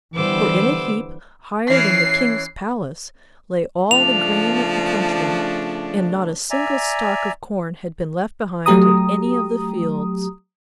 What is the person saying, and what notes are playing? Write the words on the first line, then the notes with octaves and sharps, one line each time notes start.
For in a heap higher than the King's palace lay all the grain of the country, and not a single stalk of corn had been left behind in any of the fields.
D3 E3 G3 B3 C5 D6 E6
E3 C#4 C7
C#3 F3 A3 D4 F7
D5 E5 G#5 A#5
F#3 A3 G4 A#5 D#6